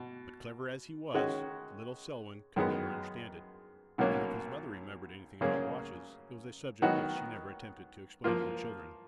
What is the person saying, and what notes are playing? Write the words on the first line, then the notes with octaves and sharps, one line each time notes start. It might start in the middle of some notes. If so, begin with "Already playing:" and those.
But clever as he was, little Selwyn could never understand it, and if his mother remembered anything about watches it was a subject which she never attempted to explain to her children.
Already playing: B2
D#3 G#3 C#4 F#4
F#2 D#3 G#3 B3
B1 B2 F#3 A#3 C#4
C#3 F#3 A#3 C#4 G#4
D#3 F#3 B3 D#4 F#4
F3 A#3 F4